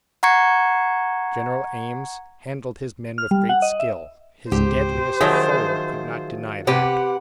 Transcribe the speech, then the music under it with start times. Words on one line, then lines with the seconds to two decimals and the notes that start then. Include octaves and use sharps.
General Ames handled his men with great skill; his deadliest foe could not deny that.
0.23 F#5 A#5 C#6 G#6 C#7
3.18 F6
3.31 G3
3.49 F#5
3.62 D#5
3.80 E5
4.52 C#2 G#2 G4 C5
5.20 D#3 F3 F#3 G#4 E5 G6
6.67 C3 G4 B4 F#5